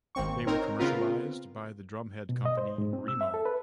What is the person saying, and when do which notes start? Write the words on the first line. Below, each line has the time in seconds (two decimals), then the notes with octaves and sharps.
They were commercialized by the drumhead company Remo.
0.15 G#1 A#3 C4 C#6
0.47 C4 D#4 A#4 C#5
0.78 C#3 B3 C4 F4 A#4 B4
2.29 B2
2.45 D#5
2.57 C5
2.78 G#2
2.93 C4
3.08 E6
3.21 E5
3.34 A4
3.45 B4